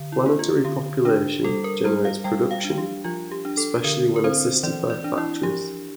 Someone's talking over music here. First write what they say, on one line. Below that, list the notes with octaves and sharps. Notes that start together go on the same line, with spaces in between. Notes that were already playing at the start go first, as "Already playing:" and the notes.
Planetary population generates production, especially when assisted by factories.
Already playing: D3
E4
A#3
F4
D3 G4
D4
G3 A4
A#4
G3 C5
F5
G3 G5
F5
D4
G4
F3 F4
G4
D4
A4
D3 A#4
A#4
C4 C5
E3 D5
D5
D4
E4
F3 G4